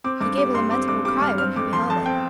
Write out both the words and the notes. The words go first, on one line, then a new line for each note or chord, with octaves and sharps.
He gave a lamentable cry when he beheld it.
C4 D6
G2 D6
G3 D6
G2 C6
C4 D6
G2 D6
G3 D6
G2 F6
C4 F6
F2 D6
F3 C6
F2 A5
C4 G5